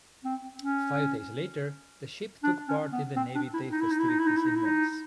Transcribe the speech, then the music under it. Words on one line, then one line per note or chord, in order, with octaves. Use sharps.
Five days later, the ship took part in the Navy Day festivities in Venice.
C4
C#4
D4
C#4
B3
C4
D4
E4
D#4
E4
D#4
E4
D#4
E4
D#4
E4
D#4
E4
D#4